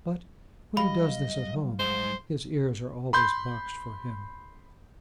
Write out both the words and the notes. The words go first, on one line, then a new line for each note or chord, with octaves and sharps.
But when he does this at home, his ears are always boxed for him.
F#3 G3 D#5 F5 B5
G#2 G#3 C5
B5 C6 G6